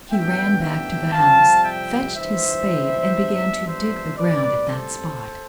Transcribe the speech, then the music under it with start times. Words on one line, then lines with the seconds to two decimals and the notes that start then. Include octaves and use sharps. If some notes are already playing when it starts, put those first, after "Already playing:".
He ran back to the house, fetched his spade and began to dig the ground at that spot.
0.11 A1 G2 E3 B3 D4 E5 G5
0.62 E5 G5
1.13 F2 C3 G3 C4 F5 A5
1.64 E5 G5
2.15 G1 G2 E3 G3 C5 E5
3.17 G2 F3 B3 D4
3.67 C5 E5
4.17 A2 G3 C4 B4 D5
4.69 A4 C5